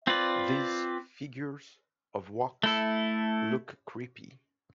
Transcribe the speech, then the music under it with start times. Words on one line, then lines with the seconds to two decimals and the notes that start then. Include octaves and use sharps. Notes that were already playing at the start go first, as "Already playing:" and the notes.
These figures of wax look creepy.
0.07 C4 F4 B4 D5
2.63 A3 E4 A4